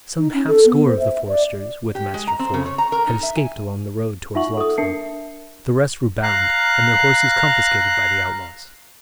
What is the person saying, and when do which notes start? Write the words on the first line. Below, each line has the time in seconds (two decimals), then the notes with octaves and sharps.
Some half-score of the foresters, with Master Ford, had escaped along the road towards Locksley: the rest were bound, and their horses confiscated by the outlaws.
0.18 D#4
0.34 C#4
0.47 A4
0.66 B3
0.87 C5
0.99 E5
1.28 D5
1.95 G4
2.14 G#3
2.27 A#5
2.39 C4
2.54 C#3
2.66 C#5
2.78 A#5
2.92 A#4
3.07 D#4
3.23 E5
3.36 G#5
4.35 D#4 F4 E5 F#5 C#6 F#7
4.57 A4 D#6
4.78 D4 A#4 E5 A5 C7 C#7
6.23 F5 A#5 F#6